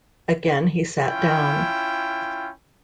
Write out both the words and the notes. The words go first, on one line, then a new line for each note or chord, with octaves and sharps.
Again he sat down.
C#4 E4 F4 G5